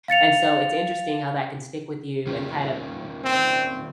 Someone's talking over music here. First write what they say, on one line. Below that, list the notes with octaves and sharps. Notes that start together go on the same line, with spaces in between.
and so, it's interesting how that can stick with you and, kind of,
F5 A6 C#7 F7
D#3 C#4 F4
C4